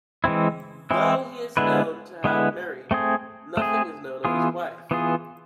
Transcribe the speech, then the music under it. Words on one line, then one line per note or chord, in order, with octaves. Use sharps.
Though he is known to have married, nothing is known of his wife.
E3 G#3 C4 E4
E3 G#3 C4 E4
D3 G#3 B3 E4 B4
D3 G#3 B3 E4 B4
A3 C4 G#4
A3 C4 G#4
E3 B3 F4 G#4
E3 B3 F4 G#4